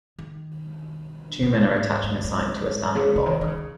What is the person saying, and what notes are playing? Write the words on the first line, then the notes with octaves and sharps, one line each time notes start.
Two men are attaching a sign to a standing log.
D#3
A#2
G#2
G#2
F#2
G#2
G#2
C#3
C#3
D#3
D#3
C#3